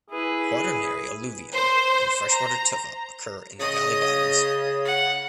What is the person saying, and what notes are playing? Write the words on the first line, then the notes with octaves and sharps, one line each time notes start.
Quaternary alluvium and freshwater tufa occur in the valley bottoms.
E4 G#4 B4
C5
A#5
C#3 D#5 D#6
F#5